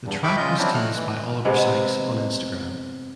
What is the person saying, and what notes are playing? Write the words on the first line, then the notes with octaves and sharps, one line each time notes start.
The track was teased by Oliver Sykes on Instagram.
E2 G2
E5 G5 B5 C#6 D6
C#3 G#3 F4 D#5 G6
F#3 C4 D4 E4
A3 F6 F#6
E3
C3 G#3 B3